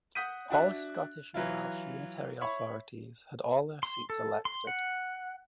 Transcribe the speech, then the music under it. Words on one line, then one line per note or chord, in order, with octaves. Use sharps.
All Scottish and Welsh unitary authorities had all their seats elected.
F#5 D#6 G6 B6 D#7
D4 F#4 E5 F#6
E3 F#3 E4 F4
C#5 E5 B5 C#6
C6
A4
C6
F#5